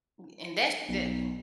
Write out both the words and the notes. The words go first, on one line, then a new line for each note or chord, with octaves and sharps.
N and that's def
B1